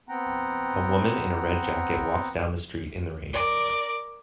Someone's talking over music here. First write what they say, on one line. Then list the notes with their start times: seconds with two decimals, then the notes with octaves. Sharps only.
A woman in a red jacket walks down the street in the rain.
0.09 B3 C4 F#5 G5 A#5
3.33 A#4 D5